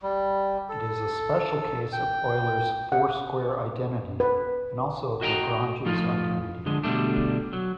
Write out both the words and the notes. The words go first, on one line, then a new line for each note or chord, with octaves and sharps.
It is a special case of Euler's four-square identity, and also of Lagrange's identity.
G3
A4
G5
F#5
B4
F#4 D#5 G5 G#5 A#5
A2 F3 D#4 F4
D3 F3 G#3
B2 D3 G3 A3 D4
F#3